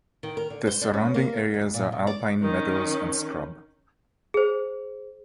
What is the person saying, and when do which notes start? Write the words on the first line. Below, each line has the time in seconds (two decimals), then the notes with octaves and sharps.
The surrounding areas are alpine meadows and scrub.
0.23 D#3
0.37 A#4
0.50 D3
0.67 C5
0.81 D4
0.94 C#4
1.14 A#3
1.54 D2
1.74 A#2
1.92 B2
2.07 D5
2.43 D#3 C#4
4.34 G#4 C5